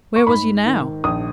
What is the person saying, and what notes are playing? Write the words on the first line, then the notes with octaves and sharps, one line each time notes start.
Where was he now?
C#6
G#2 B5
D#3
A#1 D#6